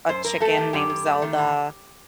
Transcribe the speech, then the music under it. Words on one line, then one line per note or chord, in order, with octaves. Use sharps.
a chicken named Zelda,
F#2 C5
F#2 A#4
A3 A4
D#3 G4
F#2 G4
F#2
A3
D#3
A2